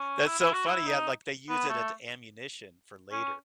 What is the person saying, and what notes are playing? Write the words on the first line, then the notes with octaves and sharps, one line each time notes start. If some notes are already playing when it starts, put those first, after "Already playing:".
That's so funny. Yeah, like, they use it at ammunition for later.
Already playing: C#4
E4
E4
F#4
E4
D#4
B3
A3
C#4